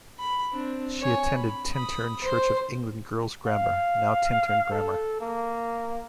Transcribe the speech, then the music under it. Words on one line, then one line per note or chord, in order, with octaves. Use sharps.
She attended Tintern Church of England Girls' Grammar, now Tintern Grammar.
B5
C4 D4
C#5 G#5
B5
B5 D#6
C5 C6
F5
A4
A#3